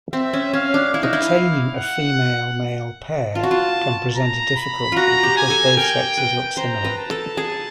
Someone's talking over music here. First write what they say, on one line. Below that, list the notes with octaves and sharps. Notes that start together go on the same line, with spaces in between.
Obtaining a female-male pair can present a difficulty because both sexes look similar.
C4 E5
C#4
C#4 F5
D4
E4 F5
D#4
E4
F#5
F4 A5
F#4
F4
A#5
B5
F4 F#4 A#5
G4
G#5
A4
A#4 G5
B4
C5 A#5
B4
A5
A4
G#4